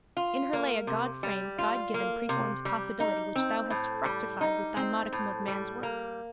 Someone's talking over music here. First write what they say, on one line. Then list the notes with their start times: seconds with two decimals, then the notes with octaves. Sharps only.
In her lay a Godframed Godgiven preformed possibility which thou hast fructified with thy modicum of man's work.
0.17 F4
0.53 A#3
0.87 C3
1.23 G3
1.58 F4
1.94 A#3
2.29 C3
2.65 G3
3.00 D#4
3.36 C4
3.70 A2
4.05 G3
4.41 D#4
4.77 C4
5.12 A2
5.48 G3
5.83 A#3